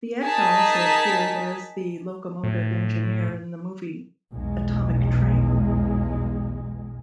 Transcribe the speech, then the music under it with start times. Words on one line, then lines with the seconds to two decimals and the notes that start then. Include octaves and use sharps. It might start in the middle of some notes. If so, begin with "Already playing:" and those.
The actor also appeared as the locomotive engineer in the movie "Atomic Train".
0.23 D#4 G#4 A#4 A5 B6
2.43 A2
4.33 B1 E2 G#3